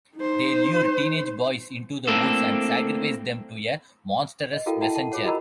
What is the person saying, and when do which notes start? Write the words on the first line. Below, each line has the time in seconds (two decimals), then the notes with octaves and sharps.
They lure teenage boys into the woods and sacrifice them to a monstrous messenger.
0.16 D#4 C5
2.07 A3 A#3 C4 D4 E4 A4
4.53 D#5
4.66 E4 F#4 A4 A#4 F5 G5
4.81 E4 E5 F#5 G5 A5
4.96 F#5 A5
5.12 F4 G#4 C#5 F#5
5.25 F#4 A#4 D#5 A#5 B5 E6